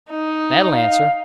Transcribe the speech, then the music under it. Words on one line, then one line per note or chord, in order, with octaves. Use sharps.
That'll answer.
D#4
F5